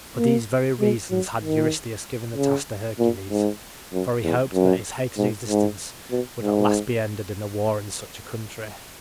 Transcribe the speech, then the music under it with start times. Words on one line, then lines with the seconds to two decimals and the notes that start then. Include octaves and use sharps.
For these very reasons had Eurystheus given the task to Hercules, for he hoped that his hated existence would at last be ended in a war in such a country.
0.17 A#3
0.80 G#3
1.11 F#3
1.42 D#3
2.36 C#3
2.99 A#2
3.30 G#2
3.93 F#2
4.24 E2
4.54 F#2
5.17 G#2
5.48 G#2
6.11 B2
6.42 G#2